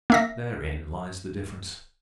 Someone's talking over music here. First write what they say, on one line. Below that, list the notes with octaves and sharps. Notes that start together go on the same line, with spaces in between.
Therein lies the difference.
A#3 E5 A#6